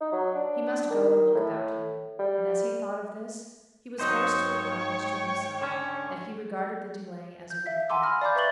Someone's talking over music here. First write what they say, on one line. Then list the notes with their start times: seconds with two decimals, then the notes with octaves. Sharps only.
He must go and look about him;--and as he thought of this he was forced to acknowledge to himself that he regarded the delay as a reprieve.
0.01 D#4
0.12 F#3
0.35 D4
0.90 D#3
1.34 A2
2.19 G3
3.99 G#2 F#3 D#4 C5 C#5 G5
5.61 D3 C#4
7.50 G6
7.66 E5 F5 B6
7.89 F#5 G#5 A#5 C6 D6 E6
8.02 B5 D#6 F6 A#6
8.21 D5 F5 A#5 B5 D6 G6
8.35 B4 E5 C#6 A6 F#7 G7